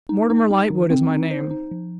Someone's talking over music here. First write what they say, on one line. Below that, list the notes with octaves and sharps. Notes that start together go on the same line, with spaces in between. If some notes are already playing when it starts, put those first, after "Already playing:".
'Mortimer Lightwood is my name.
D#4
D#4
D#4
D#3
C4
D#4
C5
D#4
F3